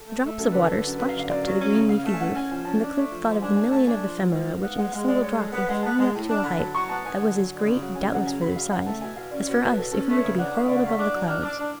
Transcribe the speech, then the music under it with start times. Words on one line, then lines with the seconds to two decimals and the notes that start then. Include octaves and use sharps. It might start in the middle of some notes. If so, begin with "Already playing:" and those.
The drops of water splashed up to the green leafy roof, and the clerk thought of the million of ephemera which in a single drop were thrown up to a height, that was as great doubtless for their size, as for us if we were to be hurled above the clouds.
Already playing: A4
0.08 A3
0.23 A3
0.38 F#2 A4
0.52 D3 B4
0.65 D3 A4
0.84 F#2
0.98 F#2 B4
1.09 F5
1.14 D3
1.20 F5
1.29 F#2 D5
1.44 F#3 F5
1.59 C#4
1.75 C#3
1.89 C#4 F5
2.04 A3 F5
2.13 G#5
2.20 C#4 F#5
2.35 C#4 G#5
2.50 F3 G#5
2.65 C#4 A5
2.81 D4
2.96 A3
3.11 F3
3.26 G#2
3.41 D4 G#5
3.56 A3 G#5
3.71 A3 A5
3.86 D4 G#5
4.02 F3
4.17 G#2
4.32 F3
4.47 G#2
4.62 B3 F5
4.77 G#3 F#5
4.93 G#3 F5
5.08 G#3 D5
5.23 G#3 C#5
5.38 G#3 A4
5.52 B3 B4
5.68 G#3 F#5
5.83 B3 A5
5.98 G#3
6.14 A2
6.29 D4
6.36 A5
6.44 D3 B5
6.58 F#3 A5
6.74 F#3 C#6
6.89 B3 A5
7.04 B3 G#5
7.20 D3
7.35 F#3
7.50 D3
7.65 C#3
7.80 F#3
7.95 C#3 G#5
8.11 F#2 F#5
8.26 C#3 G#5
8.41 F#3 B5
8.56 F#2 F5
8.70 C#3 F#5
8.86 A3 A5
9.01 B2 G#5
9.16 B2 F5
9.31 C#4 D5
9.47 B2 C#5
9.62 B2 B4
9.77 B2 A4
9.92 C#4 A4
10.07 A3 B4
10.17 C#5
10.23 C#3
10.38 D4 F#5
10.53 A3 F5
10.68 C#3 D5
10.76 F#5
10.83 A3 F5
10.98 D4 D6
11.14 F#3
11.28 D4 F6
11.43 D4 D6
11.59 D4